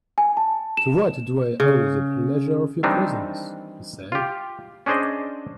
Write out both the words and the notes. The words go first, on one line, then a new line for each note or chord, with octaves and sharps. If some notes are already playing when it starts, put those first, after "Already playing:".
"To what do I owe the pleasure of your presence," he said.
G#5
A5
E7
C#3
D#3 E3 G3 C4 D4 D#4
F4 G4
C#4 D4 G#4 C5 D5 D#5